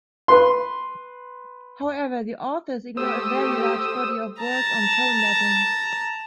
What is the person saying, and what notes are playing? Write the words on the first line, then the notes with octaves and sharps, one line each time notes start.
However, the authors ignore a very large body of work on tone mapping.
B4 C6
A3 G4 C5 D#6 E6
A5 A#5